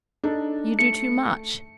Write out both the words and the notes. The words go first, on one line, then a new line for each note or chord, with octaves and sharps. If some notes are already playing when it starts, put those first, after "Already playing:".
You do too much.'
D4 D#4 A4
A3 C#7